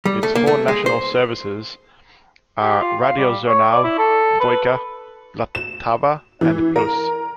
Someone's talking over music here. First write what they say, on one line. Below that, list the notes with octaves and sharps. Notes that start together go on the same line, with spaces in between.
Its four national services are Radiožurnál, Dvojka, Vltava and Plus.
G3
A3
A#3
A3
G#3
C5
G4
F4
F5
G3
C#5
D5
E4
A4
B4
E7
E3
A#4